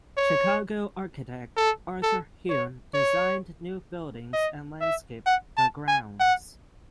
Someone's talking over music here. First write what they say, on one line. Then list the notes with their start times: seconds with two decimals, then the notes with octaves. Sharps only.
Chicago architect Arthur Heun designed new buildings and landscaped the grounds.
0.17 C#5
1.57 A4
2.03 A4
2.49 C#5
2.94 C#5
4.33 D#5
4.81 E5
5.26 F#5
5.57 A5
5.88 G#5
6.20 F#5